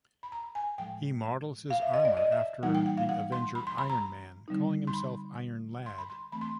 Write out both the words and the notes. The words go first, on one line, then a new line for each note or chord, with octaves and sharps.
He models his armor after the Avenger Iron Man, calling himself Iron Lad.
B5
A#5
G#5
A2 F3 G#3 G5
F5
E5
D#5
D5
D#5
E5
E3 G3 A#3 D#4 F#5
G5
F#5
F5
F#5
C6
B5
C6
B5
A#5
D3 G3 C4 D#4
C6
B5
C6
B5
C6
E3 A3 C4 B5
C6